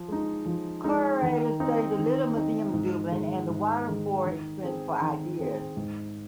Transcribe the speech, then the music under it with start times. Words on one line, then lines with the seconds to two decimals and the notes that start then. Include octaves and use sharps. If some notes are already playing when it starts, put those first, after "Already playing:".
Curators studied the Little Museum of Dublin and the Waterford Experience for ideas.
Already playing: F3
0.08 G#3 D#4
0.46 F3
0.84 G#3 D#4
1.22 D#3
1.60 C4 D#4
1.98 D#3
2.35 C4 D#4
2.73 G#2
3.11 D#3 G#3
3.50 G#2
3.88 D#3 G#3
4.25 D#3
4.63 C4 G#4 C5
5.00 D#3
5.39 C4 G#4 C5
5.77 G#2